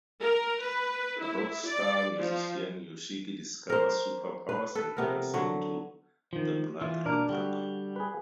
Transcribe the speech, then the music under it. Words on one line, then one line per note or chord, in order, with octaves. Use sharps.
Rock star musician Yoshiki discovers super powers and turns into the Blood Red Dragon.
A#4
B4
E4
D5
F3
A#4 C5
B4
A4 B4
C3 B3 A#4
D3 F#3
D#3 F3
E3 F4
B2 A#3 D4 A#4
D3 G3 F#4
G#4 B4